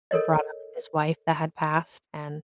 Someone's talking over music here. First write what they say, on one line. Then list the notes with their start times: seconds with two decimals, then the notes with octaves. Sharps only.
brought up his wife that had passed, and,
0.11 A4 A#4 C#5 D#5